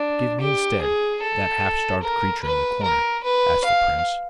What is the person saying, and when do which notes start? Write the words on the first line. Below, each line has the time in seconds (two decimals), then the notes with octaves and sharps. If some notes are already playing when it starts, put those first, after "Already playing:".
'Give me, instead, that half-starved creature in the corner,' asked the prince.
Already playing: D4
0.40 G4
0.81 G#4
1.22 A4
2.02 A#4
2.43 B4
2.83 A#4
3.24 B4
3.64 F5